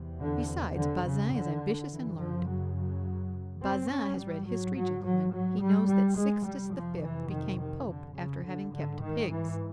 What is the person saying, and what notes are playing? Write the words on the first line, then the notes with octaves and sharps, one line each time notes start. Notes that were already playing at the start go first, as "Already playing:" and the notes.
Besides, Bazin is ambitious and learned; Bazin has read history, gentlemen, he knows that Sixtus the Fifth became Pope after having kept pigs.
Already playing: E2 C3
D3
D3
C#3
D3
F#2 C#3 E3
F3
F#3
F#3
C4
C#4
G#2 G3
F#3
F#3
F#3
F#3
G3
G3
G#3
F2 C3 G3
F3
E3
D#3
D#3
D3
C#3
D3
G#2 D3
D#3
E3